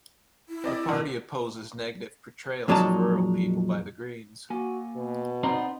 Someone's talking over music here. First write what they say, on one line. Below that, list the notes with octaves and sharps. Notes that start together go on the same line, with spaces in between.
The party opposes negative portrayals of rural people by the Greens.
E4
C4 D5 D#5
B2 D#3
F2 A#2 F#3 G#3 D#4 A5
A#3 F#4 G#5
B2
B3 C4 D#4 D5 A#5